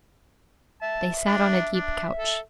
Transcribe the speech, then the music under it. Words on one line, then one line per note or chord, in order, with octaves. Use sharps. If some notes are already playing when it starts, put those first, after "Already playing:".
They sat on a deep couch.
E5 A5
D4
D4
A4